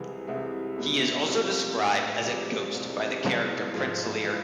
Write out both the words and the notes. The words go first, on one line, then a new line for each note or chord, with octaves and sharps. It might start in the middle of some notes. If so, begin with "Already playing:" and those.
He is also described as a ghost by the character Prince Lir.
Already playing: C2 C3 E3 G#3
C2 C3 G#3 E5
E2 B2 G#3
F2 C3 F3
A2 G#3
F2 C3 G#3 D5
C2 C3 G#3
C2 B2 G#3
G#2 F3 G#3
E3 G#3 F4